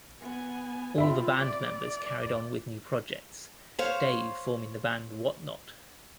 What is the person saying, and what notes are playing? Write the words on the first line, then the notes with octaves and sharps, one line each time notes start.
All the band members carried on with new projects: Dave forming the band Wotnot!
B3 G#5
C4 F4 E5 B5
D5
C5 C#5 F5